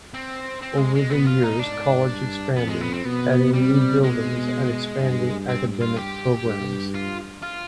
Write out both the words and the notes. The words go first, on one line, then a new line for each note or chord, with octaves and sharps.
Over the years the college expanded, adding new buildings and expanding academic programs.
C4
C4
G#3
G#3
B2 B3
F4
D#4
G#2 D4
G2
F2 B3
G#3
B3
C4
B2 B3
C3 G3
B2 G#3
G2
C4
F4
G4
G2
F4
F4